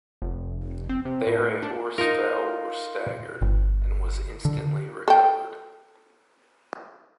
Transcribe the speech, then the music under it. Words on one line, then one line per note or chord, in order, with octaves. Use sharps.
There a horse fell or staggered, and was instantly recovered.
F1
C4
C3
A2
D4
D#4 F4 A#4
G1
D3
A4 G5